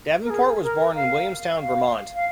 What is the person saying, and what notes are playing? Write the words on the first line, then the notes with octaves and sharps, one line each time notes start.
Davenport was born in Williamstown, Vermont.
A#4
G#4
A#4
F5
F5
F5